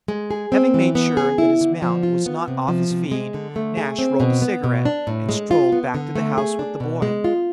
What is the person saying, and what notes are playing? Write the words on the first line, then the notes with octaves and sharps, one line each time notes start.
Having made sure that his mount was not "off his feed," Nash rolled a cigarette and strolled back to the house with the boy.
G#3
G#4
C4
E3
B3
G#4
E4
D3
F3
F4
B3
C3
F3
C3
G#3
D3
A3
G#4
C4
B2
B3
B2
D4
A2
G#3
F4
B3
D3
A3
G#4
D4
B2
G#3
F4